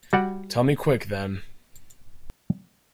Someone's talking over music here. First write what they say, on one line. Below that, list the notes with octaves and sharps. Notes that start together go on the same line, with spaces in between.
Tell me quick, then.
G3 F#4 D5 F#5